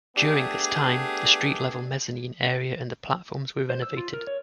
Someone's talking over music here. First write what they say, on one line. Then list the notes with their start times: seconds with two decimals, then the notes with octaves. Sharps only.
During this time, the street level mezzanine area and the platforms were renovated.
0.16 A3 B3 D4 G4 G#4
3.70 C5
3.82 E6
3.97 F4
4.14 A#4
4.27 C#5